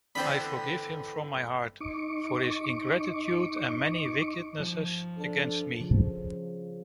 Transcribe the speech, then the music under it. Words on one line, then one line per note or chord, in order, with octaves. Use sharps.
I forgive him from my heart for his ingratitude and many wickednesses against me.
D3 E3 B3 C5 G5 B5
D#4 C#6 D6
F3
D4 A4
C#3 F3